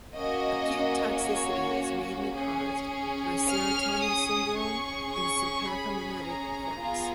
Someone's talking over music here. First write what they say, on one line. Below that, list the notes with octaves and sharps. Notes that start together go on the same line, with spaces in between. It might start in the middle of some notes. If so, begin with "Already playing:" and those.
Acute toxicity is mainly caused by serotonin syndrome and sympathomimetic effects.
A#3 C#4 F#4 D#5
C#5
C#4 G#4
F6
D#6
C#4 G#4 C#6
C#6
B5
A#5
B3 F4 G#4